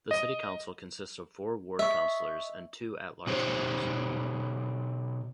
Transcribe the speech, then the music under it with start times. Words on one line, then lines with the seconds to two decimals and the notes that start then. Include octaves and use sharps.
The city council consists of four ward counselors and two At-Large members.
0.11 D#5
1.79 D#5 E5 C#6
3.27 B2 D#4 G4 C5 C#5